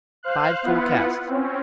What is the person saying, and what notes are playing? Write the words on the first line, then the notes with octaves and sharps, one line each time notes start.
"Five full casks?"
C5 F5 F#6
B3 E4 F4 B4 F#5
C4 C#4